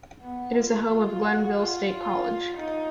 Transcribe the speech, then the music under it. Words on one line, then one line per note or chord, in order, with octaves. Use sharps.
It is the home of Glenville State College.
B3
F4
F4
F#4
F4
F4
D#4